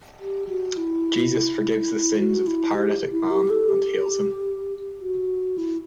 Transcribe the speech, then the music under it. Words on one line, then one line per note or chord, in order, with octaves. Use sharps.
Jesus forgives the sins of the paralytic man, and heals him.
G4
F#4
E4
F#4
E4
G4
E4
G4
A4
G4
F#4
E4